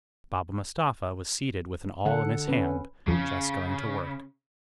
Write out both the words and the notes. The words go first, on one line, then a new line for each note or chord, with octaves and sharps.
Baba Mustapha was seated with an awl in his hand, just going to work.
D3 A4 F#5
C#4 B4
F2 C#3